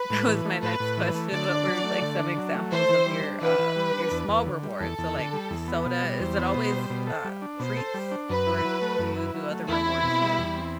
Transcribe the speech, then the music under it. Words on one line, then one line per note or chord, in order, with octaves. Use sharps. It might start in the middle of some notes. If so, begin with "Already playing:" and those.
That was my next question. What were, like, some examples of your, uh, your small rewards? So, like, soda is it always, uh, treats, or is do you do other rewards too?
Already playing: B4
A2
E3
A3
A2 B4
A2
E3
A3
D3 D5
D4
F#3
A3
D3
D4
F#3
A3
E3 C5
E3
G3
D4
E3 B4
E3
G3
D4
E2
E2
D3
G3
E2 A4
E2
D3
G3
E2
B3
B2
G3
E2 C5
B3
B2
G3
B2
A4
G3
D4
B2 C5
A4
G3
D4
F#2 B4
E4
F#3
A3
F#2
E4
F#3
A3
E2 E4
C4
B2
G3
E2
C4